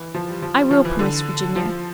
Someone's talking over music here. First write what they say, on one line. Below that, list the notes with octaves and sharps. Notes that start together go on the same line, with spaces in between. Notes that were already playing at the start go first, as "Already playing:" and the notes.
"I will," promised Virginia.
Already playing: E3
F3
G3
F3
G3
F3
E3
D3
F3